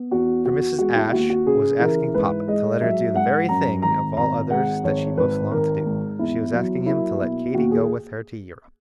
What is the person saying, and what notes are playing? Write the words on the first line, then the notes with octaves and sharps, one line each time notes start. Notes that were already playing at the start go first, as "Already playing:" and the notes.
For Mrs. Ashe was asking papa to let her do the very thing of all others that she most longed to do; she was asking him to let Katy go with her to Europe!
Already playing: B3
E2 F#4
E2 F#4
G#3 F#4
E4
D#2 F#4
F#4
C#3 G#4
E3 A#4
G#2 B4
G#3 D#5
F#3 E5
G#2 F#5
F#2 A#5
G#1 A#5
G#1 A#5
G#3 F#5
G#1 C#5
G#1 B4
D#3 A#4
G#2
E2 E4
F#3
A#3 E4
B2
D#2 F#4
G#4